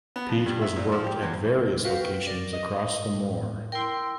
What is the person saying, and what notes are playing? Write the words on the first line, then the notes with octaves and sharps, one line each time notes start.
Peat was worked at various locations across the moor.
B3
F2
G2
E5
A#2
F3
G4
E2
F#4 B4 F5 G5
A#4 D5
D#5
A2
E4 A#4 G5 C6